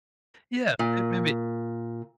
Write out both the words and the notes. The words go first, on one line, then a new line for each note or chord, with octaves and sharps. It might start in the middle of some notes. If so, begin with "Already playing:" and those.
yeah, may maybe
A#2